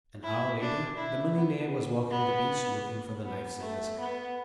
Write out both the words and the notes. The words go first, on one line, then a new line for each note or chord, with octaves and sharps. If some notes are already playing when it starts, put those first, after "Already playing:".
An hour later the millionaire was walking the beach looking for the life-savers.
E4
D4
E4
B3
B3
B3
A3
B3